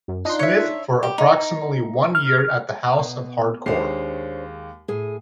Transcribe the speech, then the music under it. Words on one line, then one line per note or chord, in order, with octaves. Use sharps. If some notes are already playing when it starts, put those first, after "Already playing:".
Smith for approximately one year at the House of Hardcore.
F#2
D4 D#4 F4 C6 F#6
C#5 E5
G4
D#4
F6
B2
D#2 G#3 D4 C5 C#5 C7
A2 G#4